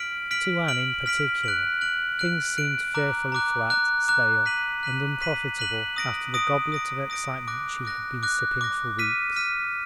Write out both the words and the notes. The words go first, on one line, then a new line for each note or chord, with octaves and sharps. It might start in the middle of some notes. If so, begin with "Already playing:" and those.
To Anne in particular things seemed fearfully flat, stale, and unprofitable after the goblet of excitement she had been sipping for weeks.
Already playing: F6 B6 D7 F#7
F6 B6 D7 F#7
F6 B6 D7 F#7
F6 B6 D7 F#7
F#6 D7 F#7
F#6 D7 F#7
F#6 D7 F#7
F#6 D7 F#7
A#5 D6 F#6
A#5 D6 F#6
A#5 D6 F#6
A#5 D6 F#6
F#6 B6 D#7 F#7
F#6 B6 D#7 F#7
F#6 B6 D#7 F#7
F#6 B6 D#7 F#7
D#6 A#6 D7
D#6 A#6 D7
D#6 A#6 D7
D#6 A#6 D7
D6 F#6 A#6
D6 F#6 A#6
D6 F#6 A#6
D6 F#6 A#6
F6 B6 D#7
F6 B6 D#7